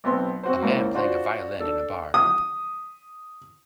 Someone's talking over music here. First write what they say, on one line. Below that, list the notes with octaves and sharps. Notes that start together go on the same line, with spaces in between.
A man playing a violin in a bar.
B1 B3 C4 C6
C4 F#4 C5
C#2 A#3 E4 C5
D4 F4 F#4 C5
D4 A4
D#6